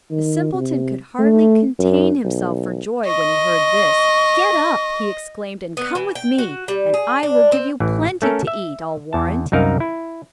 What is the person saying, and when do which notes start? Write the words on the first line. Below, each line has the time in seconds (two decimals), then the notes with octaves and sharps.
The simpleton could hardly contain himself for joy when he heard this. "Get up," he exclaimed, "and come with me, and I will give you plenty to eat, I'll warrant."
0.11 D#3
0.53 C3
1.19 A3
1.79 F#2
2.25 B1
3.06 D#5 C#6
5.77 B3
5.95 E3
6.15 G5
6.38 F#4
6.68 G3
6.94 G#4
7.23 D4
7.52 C4
7.80 A1 E3
8.22 A3 C#4 A4 A#4
8.47 E5
9.13 E2 A5
9.52 C2 F#2 D#4 A#4 F5
9.80 E4